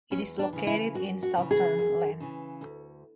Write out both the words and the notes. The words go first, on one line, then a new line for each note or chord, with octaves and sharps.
It is located in Sutherland.
E2 C#4
D4
C#3 E3
E4
F#2 F#4
F#4
C#3 E3
G#4
F#2
C#3 E3
D2